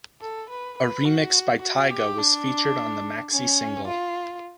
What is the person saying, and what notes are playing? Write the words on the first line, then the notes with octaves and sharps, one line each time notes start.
A remix by Tiga was featured on the maxi-single.
A4
B4
B4
F#4
F#4
G4
D4
C#4
F4